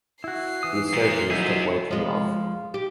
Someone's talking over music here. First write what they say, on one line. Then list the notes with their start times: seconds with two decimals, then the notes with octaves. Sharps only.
These surgeries took way too long.
0.24 E4 F#4 C7
0.63 E3 D#6
0.93 A#2
1.30 F3 F#3 B3 D#4 E4 G#4
1.91 F3 G#3
2.74 G4